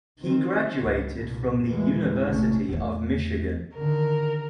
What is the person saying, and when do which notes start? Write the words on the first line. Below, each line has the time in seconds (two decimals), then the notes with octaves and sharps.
He graduated from the University of Michigan.
0.21 D#3 C4
0.78 G#1 C#2
1.17 C2 G2 A#2
1.66 E2 A#2 E3 G3 G#3
2.24 A1 C3 G#3 A3 C#4
2.69 E2 A3
3.76 D3 D#3 A#4